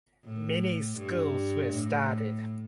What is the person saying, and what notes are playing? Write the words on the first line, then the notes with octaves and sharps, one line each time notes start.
Many schools were started.
A2
G2
A2